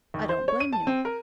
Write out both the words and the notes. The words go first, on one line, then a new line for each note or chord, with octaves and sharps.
I don't blame you.
D#2
C5
C#5
D#7
A5
C4
A#4